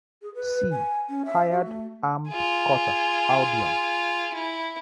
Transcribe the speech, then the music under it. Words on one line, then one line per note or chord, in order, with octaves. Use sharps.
See: Hired armed cutter Albion.
G#4
B4
G#5
C#4
E5
F#4
A3
F4 G#4
E4